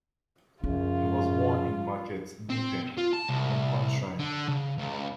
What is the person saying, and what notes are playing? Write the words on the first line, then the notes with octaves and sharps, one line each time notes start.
He was born in Market Deeping, Lincolnshire.
F#2 C#3 F3 F4
C4
F4
A5
C2
D3
C#3
C#2